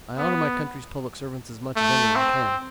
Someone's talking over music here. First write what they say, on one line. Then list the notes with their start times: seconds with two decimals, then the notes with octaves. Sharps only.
I honor my country's public servants as much as any one can.
0.18 B3
1.76 A3
2.16 C4